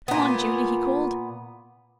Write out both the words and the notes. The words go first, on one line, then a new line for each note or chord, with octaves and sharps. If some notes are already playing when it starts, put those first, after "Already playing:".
"Come on, Julie," he called.
A#2 B3